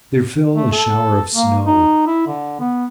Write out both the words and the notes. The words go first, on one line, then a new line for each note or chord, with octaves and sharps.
There fell a shower of snow.
A3
A4
A#3
D#4
E4
D3
B3